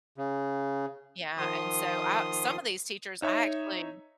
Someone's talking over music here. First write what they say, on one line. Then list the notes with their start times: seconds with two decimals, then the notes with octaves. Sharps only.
Yeah, and so I w some of these teachers, I actually
0.17 C#3
1.38 D#3 F3 C6 D#6
3.22 D#4 C#5 E5